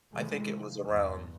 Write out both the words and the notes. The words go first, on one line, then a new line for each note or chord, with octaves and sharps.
I think it was around,
C3 D#3 E3 G#3 A3
F3
E2 G2